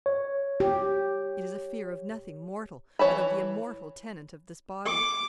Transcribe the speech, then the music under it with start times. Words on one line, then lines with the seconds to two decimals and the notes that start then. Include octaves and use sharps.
It is a fear of nothing mortal, but of the immortal tenant of this body.
0.06 C#5
0.60 G4
2.99 E3 C#5 A5 B5
4.85 D6